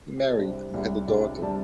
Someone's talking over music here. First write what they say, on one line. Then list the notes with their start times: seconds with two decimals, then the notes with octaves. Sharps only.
He married and had a daughter.
0.17 G4
0.27 A4
0.38 C2 C3 G3 D4 C5
0.74 C2 C3 G3 D4
1.08 C2 C3 G3 D4 D5
1.42 C3 G3 D4 A5